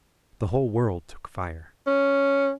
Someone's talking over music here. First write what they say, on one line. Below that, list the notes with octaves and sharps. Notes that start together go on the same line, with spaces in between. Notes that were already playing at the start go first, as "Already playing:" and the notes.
The whole world took fire.
C#4